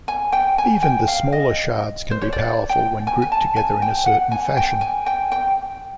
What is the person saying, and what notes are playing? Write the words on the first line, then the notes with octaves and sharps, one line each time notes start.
Even the smaller shards can be powerful when grouped together in a certain fashion.
G#5
G5
G#5
G5
F5
D#5
C5
C#5
D5
G5
G#5
G#5
A5
G#5
G5
F#5
G#5
G5
G#5
G5
G5